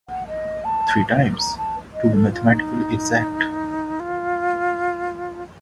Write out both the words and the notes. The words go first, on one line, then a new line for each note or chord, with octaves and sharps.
Three times, to be mathematically exact.
F#5
D#5
A5
A#5
A5
D#5
A4
F4
D#4
F4